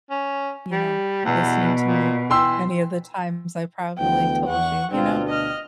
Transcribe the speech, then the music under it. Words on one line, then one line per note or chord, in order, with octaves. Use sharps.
You know, listening to me, any of the times I probably told you. You know,
C#4
G3
E2 B2
A#2
E3 G5 C6 E6
D2 E3 B3 G5
E2 F#5 C#6
D2 B2 C4 D4 F4
D#5 F6